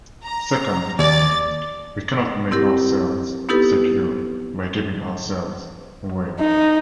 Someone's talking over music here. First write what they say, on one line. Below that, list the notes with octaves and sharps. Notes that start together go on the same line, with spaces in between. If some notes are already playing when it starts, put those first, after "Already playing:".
Second, we cannot make ourselves secure by giving ourselves away.
A#5
D#2 D5 A6
C4 E4 G4 A#4
B3 D#4 E4 G4 A4 B4
D#4